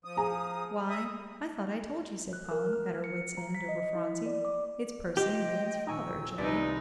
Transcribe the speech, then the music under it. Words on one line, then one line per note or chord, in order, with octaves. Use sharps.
"Why, I thought I told you," said Polly, at her wit's end over Phronsie. "It's Percy and Van's father, Joey!"
F3 D#6
G#4 A#5
E5 D#6
F#6
A#4
F6
C#7
A#5
B6
D#5
E4
D5
D6
F4 G4 D#5 G5
D#1 G#5 C#6 E6
C2 D#4 B4 D5 B6